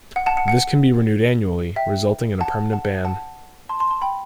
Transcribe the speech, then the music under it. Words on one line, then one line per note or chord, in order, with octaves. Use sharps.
This can be renewed annually, resulting in a permanent ban.
F#5
F#5 A5
F#5
F#5
E5 G5
F#5 A5
F#5 A5
F#5 A5
A5 C6
A5 C6
A5 C6
G5 B5